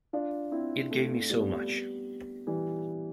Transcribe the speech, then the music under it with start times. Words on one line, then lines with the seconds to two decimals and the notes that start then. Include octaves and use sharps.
It gave me so much.
0.13 D4 F4
0.52 C4 E4
0.91 A3 C4
1.30 G3 B3
2.47 E3 G3